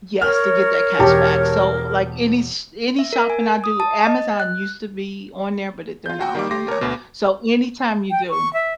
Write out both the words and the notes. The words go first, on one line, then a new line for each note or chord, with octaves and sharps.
Yes, to get that cash back, so like any s any shopping I do Amazon used to be on there, but it they're not on there now, so anytime you do
A#4 C#5 F6
E1 G4 A5
E5
A#4
G#5
D#6
A5
D#5
F#6
F4 G6
F#4 G5
D#3 G3 D6
A3 G4 C6 D6 A#6
A#4 C#5
D2 B2
G5
C#6
E5